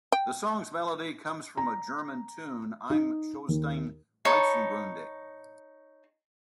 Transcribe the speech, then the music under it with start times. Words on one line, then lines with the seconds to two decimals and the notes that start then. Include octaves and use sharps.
The song's melody comes from a German tune, "Im Schoensten Wiesengrunde".
0.12 G5
1.57 A#5
2.90 D#4
3.48 D#2
4.25 D#4 C#5 A5 B5